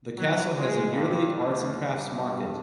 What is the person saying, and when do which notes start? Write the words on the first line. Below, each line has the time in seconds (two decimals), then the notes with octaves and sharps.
The castle has a yearly arts and crafts market.
0.17 F#3
0.57 G#3
0.92 G2
1.37 D2
1.89 G2